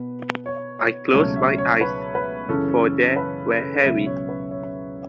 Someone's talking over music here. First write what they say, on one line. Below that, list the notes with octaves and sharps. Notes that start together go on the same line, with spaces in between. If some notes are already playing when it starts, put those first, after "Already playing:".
I closed my eyes, for they were heavy.
Already playing: B2 B3 B4
C#5
C#5
C#2 B2 F#3 A3 C#4 C#5
E5
C#5
B4
B4
F#2 C#3 E3 C#4 A4
B4
C#2 B2 F#3 C#4 E5
C#5
B4
C#5